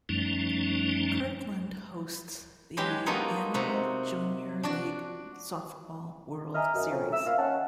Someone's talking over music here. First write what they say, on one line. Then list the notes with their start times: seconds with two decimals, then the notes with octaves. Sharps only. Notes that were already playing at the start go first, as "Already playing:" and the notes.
Kirkland hosts the annual Junior League Softball World Series.
0.09 F#2 F3 G3 A3 C#4 D#4
2.77 F#3 G#3 G4 B4
3.06 A#3 B3 D#4 F4 F#4 A4
3.54 C3 D#4 F#4
4.63 D4 F#4 D5
6.54 D#5 E5 G#5 A#5 F6
6.74 F#2
6.89 F2 C#3
7.12 E6
7.25 A#3 E5 F5
7.38 D#3 C#4 F#5 A5